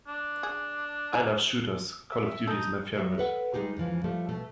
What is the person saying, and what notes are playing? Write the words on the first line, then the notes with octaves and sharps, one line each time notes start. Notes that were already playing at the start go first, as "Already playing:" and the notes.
I love shooters, Call of Duty is my favorite.
D4
G#4
E4 G#5 A#5
E5
D#4 A4
F#3 G3 E5
A4 B4 F#5
G3 G#3 B3 D#4 G4 G#4
F2 G#2 E3 F3
F3 G3 A3
B2 A3